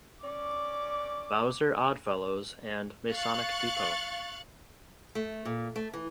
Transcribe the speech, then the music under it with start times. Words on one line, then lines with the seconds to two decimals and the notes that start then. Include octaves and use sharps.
Bowser Odd Fellows and Masonic Depot.
0.24 C#4 D5 D6
3.11 F5 C#6 F#6 A6
5.15 A3
5.45 A#2
5.76 A3
5.94 E3